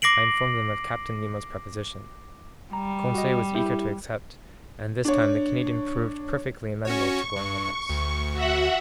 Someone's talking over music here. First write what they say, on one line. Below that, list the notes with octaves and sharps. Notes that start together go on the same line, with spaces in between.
I informed them of Captain Nemo's proposition. Conseil was eager to accept, and this time the Canadian proved perfectly amenable to going with us.
D6 A#6 C7 D7 F#7
G3 A#5
F#4 D#5
E4 G4
D4 C#5
C#4 F#4 C#5 C#6
G2
D2
F#4 E5 F#5